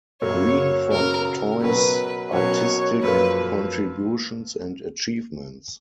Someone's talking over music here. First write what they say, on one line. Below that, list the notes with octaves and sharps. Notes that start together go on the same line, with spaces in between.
Green for Toi's artistic contributions and achievements.
F#2 C#3 F#3 A#3 C#5
F#2 C#3 F#3 A#3 A#4
B2 F#3 C#4 F#4 A#4 B4
B2 F#3 C#4 F#4 A#4 C#5
F#2 F3 A#3 B4